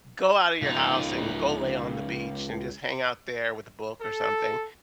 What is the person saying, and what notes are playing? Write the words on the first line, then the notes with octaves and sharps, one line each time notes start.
go out of your house, and go lay on the beach, and just hang out there with a book or something
C#2 D#4
A4